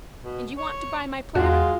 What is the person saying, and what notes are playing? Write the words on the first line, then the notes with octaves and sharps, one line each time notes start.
And you want to buy my platter.
B2
C#5
E2 G#3 F4 F#4